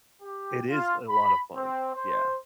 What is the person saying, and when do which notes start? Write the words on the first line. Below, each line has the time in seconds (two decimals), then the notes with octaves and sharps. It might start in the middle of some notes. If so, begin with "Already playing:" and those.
It is a lot of fun. Yeah.
0.22 G4
0.70 F4
1.09 B5
1.55 C4
1.94 C5